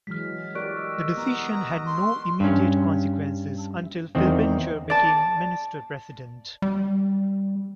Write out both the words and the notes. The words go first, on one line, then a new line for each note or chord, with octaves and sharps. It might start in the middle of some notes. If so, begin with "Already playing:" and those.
The decision had no immediate consequences until Filbinger became Minister-President.
E3 F#3 G#3 F6 B6
G4 A#4 D5 C#6 F#6 D7
D#5 E6
B3 A#5
C6
G2 C#4
E2 D#3 C4
D5 A5
G3